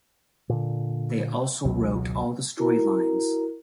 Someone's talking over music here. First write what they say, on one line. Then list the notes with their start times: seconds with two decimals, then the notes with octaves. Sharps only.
They also wrote all the storylines.
0.49 A#2 D3
1.64 G#1 C#2 B2 F#3
2.57 E4 F#4 A#4 A#5